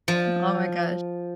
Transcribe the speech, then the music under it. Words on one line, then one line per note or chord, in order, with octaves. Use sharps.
oh my gosh.
F3